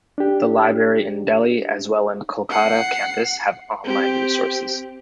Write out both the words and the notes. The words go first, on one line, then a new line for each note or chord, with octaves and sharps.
The library in Delhi as well in Kolkata campus have online resources.
D4 G4
F#5 C7
C4 G4